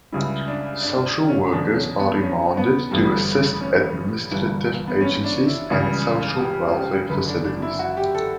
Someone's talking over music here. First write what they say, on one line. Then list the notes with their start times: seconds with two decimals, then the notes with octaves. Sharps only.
Social workers are remanded to assist administrative agencies and social welfare facilities.
0.12 C#2 C#3 G3 E4
0.48 D4
0.82 D4
1.29 C#4
1.52 E2 B2 F#3 D4
1.75 C#4
1.99 B3
2.22 C#4
2.57 B3
2.91 A1 G2 D3 G3
3.61 C#4
4.31 G1 G2 E3 G3
4.87 B3
5.01 C#4
5.24 D4
5.47 E4
5.70 C#2 C#3 E3 G3
6.40 G4
6.75 G4
7.09 F#1 F#2 D3 B4
7.27 D4
7.44 D4
7.62 E4
7.79 F#4
7.97 G4
8.15 A4